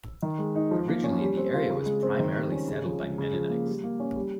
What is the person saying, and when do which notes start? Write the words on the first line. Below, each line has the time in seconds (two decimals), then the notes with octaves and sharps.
Originally, the area was primarily settled by Mennonites.
0.22 D#3
0.39 G#3
0.55 D#4
0.71 F3
0.88 A#3
1.04 C#4
1.21 G3
1.37 C4
1.54 F4
1.70 C#3
1.86 G#3
2.03 C4
2.19 D#3
2.36 G3
2.52 C#4
2.68 C#3
2.85 F3
3.02 G#3
3.18 C#3
3.33 F3
3.50 A#3
3.67 G3
3.84 A#3
4.00 C#4
4.16 G3